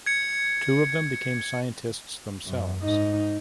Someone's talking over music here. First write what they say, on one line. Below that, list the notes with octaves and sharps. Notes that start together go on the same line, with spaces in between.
Two of them became scientists themselves.
G#6 C#7
F#2
G#2 D#4